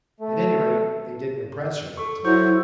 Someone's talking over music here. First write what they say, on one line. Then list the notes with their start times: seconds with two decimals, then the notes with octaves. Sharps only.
At any rate, they didn't impress her at the time.
0.20 A3
1.97 A4 C#6
2.24 F#3 E4 C5 C#6 G6